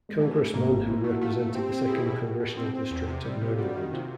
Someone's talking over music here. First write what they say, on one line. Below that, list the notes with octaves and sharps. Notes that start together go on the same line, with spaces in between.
Congressman who represented the second Congressional district of Maryland.
G#3
E3 A3
E3
G#2 A#3
G#1
G#2 E4
A3
F#4
A3 F4
A3
C4 G4
C4
G4
E4 G#4
B2
B2
B2
C4
C4
E2
C3
G3
C3
F4
G3 F#4
D#3
C3 F4